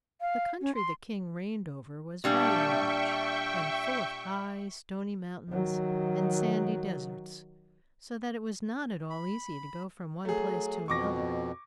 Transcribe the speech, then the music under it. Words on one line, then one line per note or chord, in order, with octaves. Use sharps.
The country the king reigned over was very large, and full of high, stony mountains and sandy deserts, so that it was not at all easy to go from one place to another.
F5
C#4
C6
A#2 G3 D4 E5 G5 C#6
D#3 F#3
B5
F#3 A3 G#4
F2 B2 C#6 D6 A#6